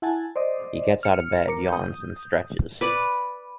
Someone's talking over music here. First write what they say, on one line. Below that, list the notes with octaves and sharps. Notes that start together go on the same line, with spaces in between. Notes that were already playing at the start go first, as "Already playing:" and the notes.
He gets out of bed, yawns, and stretches.
E4 F#5 G#5 A5
C5 D5 D#5
F6 C#7
A#4 D6 C#7
D#6 G6
B4 D5 B5